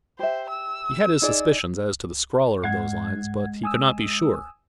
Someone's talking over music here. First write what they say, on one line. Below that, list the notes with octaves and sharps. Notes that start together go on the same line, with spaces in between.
He had his suspicions as to the scrawler of those lines, but he could not be sure.
G4 C5 E5
E6
D#4 G#4 D5
G#2 G#3 F5 F#5 G#6
G#5 D#6 E6